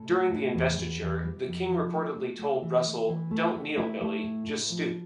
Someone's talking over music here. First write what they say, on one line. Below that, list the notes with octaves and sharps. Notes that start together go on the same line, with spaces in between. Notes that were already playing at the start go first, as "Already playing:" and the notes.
During the investiture, the King reportedly told Russell "Don't kneel Billy, just stoop".
Already playing: A2 A4
A3
A2
E2
E2
E2
G3
F2
F3
A3
A3
A3
E3
A3
E3
A3
A3
A3 E4
A3
A2
A2
F3